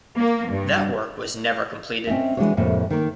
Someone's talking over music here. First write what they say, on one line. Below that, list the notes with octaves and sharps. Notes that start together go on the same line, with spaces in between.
That work was never completed.
A#3
G2
C4 C#4 D#5 E5
E3 G#3 A3 D4 F#4 C#5
F2 A2 C3 A3 A#3
D#3 A#3